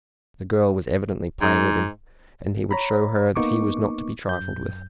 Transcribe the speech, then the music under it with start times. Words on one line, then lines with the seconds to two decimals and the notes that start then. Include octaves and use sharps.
The girl was evidently playing with him, and he would show her that he was not to be trifled with.
1.41 G#2
2.71 C#5 A#5 B5
3.36 A#3 B3 D#4 C#6 D6
4.28 F#2 G6